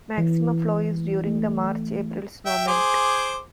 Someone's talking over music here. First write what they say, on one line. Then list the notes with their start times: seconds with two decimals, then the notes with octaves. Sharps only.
Maximum flow is during the March-April snowmelt.
0.18 E3
1.27 A3
2.46 E5 G5
2.68 G#4 C5 D6